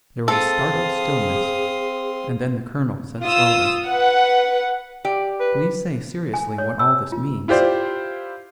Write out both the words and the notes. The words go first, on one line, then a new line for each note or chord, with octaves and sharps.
There was a startled stillness, and then the colonel said slowly, "Please say seriously what all this means."
C4 G#4 A4 F5 C6 D#6
F4 D#6 E6
B4 F#5
G4 D5
B4
G#5
C#5
E6
F4
E4 F4 G4 C5 D5